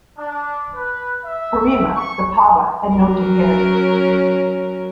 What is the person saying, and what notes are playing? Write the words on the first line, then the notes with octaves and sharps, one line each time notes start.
Parima, the Pava, had no Tapere.
D4
B4
E5
C#6
F#3 C#4 A#4